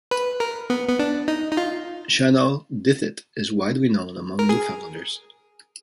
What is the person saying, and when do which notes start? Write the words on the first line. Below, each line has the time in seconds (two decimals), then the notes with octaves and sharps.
Shanawdithit is widely known among Newfoundlanders.
0.11 B4
0.40 A#4
0.70 B3
0.88 B3
0.99 D4
1.28 D#4
1.51 D#4
1.57 F4
4.39 A#4
4.49 G#4